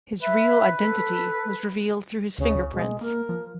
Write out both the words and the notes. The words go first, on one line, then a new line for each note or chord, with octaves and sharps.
His real identity was revealed through his fingerprints.
B4 E5
A4
D2 C#3
C#2
B2 G#3
A#3 A#4
F3